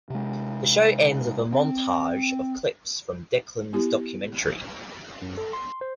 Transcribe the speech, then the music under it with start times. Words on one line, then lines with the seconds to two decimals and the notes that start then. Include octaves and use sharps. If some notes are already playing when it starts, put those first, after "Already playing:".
The show ends with a montage of clips from Declan's documentary.
0.10 C3 G#3
1.53 C4
3.73 B3 E4 G4
5.22 F#2
5.37 A4
5.53 C6
5.81 C5